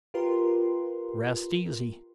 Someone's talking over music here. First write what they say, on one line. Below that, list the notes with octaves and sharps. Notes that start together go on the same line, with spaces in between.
"Rest easy."
F4 G4 A#4 B4 C6